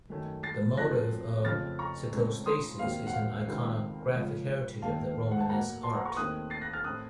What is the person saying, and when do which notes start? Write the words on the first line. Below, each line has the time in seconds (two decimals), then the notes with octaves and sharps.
This motif of psicostasis is an iconographic heritage of the Romanesque art.
0.10 F#2 D#3 A3
0.43 A6 C7
0.77 F#2 F3 A3 C4 F#6 A#6
1.45 F2 C#3 A3 C4 F6 A6
1.79 A#5 C#6
2.12 C#2 C#3 A3 C4
2.46 C6 D#6
2.79 D#2 D#3 F#3 C4 F5
3.07 F#5
3.13 F5
3.47 C#2 C3 D#3 A3 C4
4.14 C#2 C#3 F3
4.82 D#2 D#3 A3 F5 A5
5.31 F#5
5.40 A5
5.49 A2 F#3 A#3 F#5 A#5
5.83 A5 C6
5.95 F#5 A#5
6.05 A#5 C#6
6.17 D#2 D#3 A3 C4 D#6 F#6
6.50 A6 C7
6.61 F#6 A#6
6.73 F6 A6
6.84 A2 A3 C4 D#6 F#6